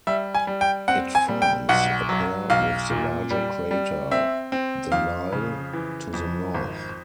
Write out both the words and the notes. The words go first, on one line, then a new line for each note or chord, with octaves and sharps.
It forms a pair with the larger crater Delisle to the north.
G3 E5
G#5
G3
G5
C4 F#5
G#5
G3
G5
B1 F#5
F#3
B1 F5
A#2
G3
G3
C4 E5
C4
F2 F5
C#3
E3
F2
G#1